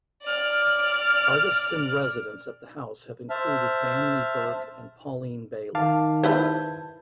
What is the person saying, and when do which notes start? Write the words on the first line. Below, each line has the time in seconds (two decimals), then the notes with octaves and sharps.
Artists-in-residence at the house have included Vanley Burke and Pauline Bailey.
0.23 D5 F6
3.30 C5 E5 A5 F6
5.75 D#3 F5 A5 D6
6.24 E4 B4 C5 A5 G6 G#6